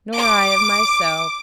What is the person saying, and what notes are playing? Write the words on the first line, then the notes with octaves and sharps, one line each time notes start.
'Nor I of myself.
D6